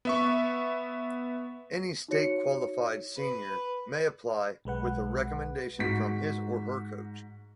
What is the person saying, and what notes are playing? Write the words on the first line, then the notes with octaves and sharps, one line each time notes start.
Any state-qualified senior may apply with a recommendation from his or her coach.
B3 E5 C#6
D#4 F#4 C#5 C#7
B4
B1 G#3 B4 F#5
G#2 F#4 B6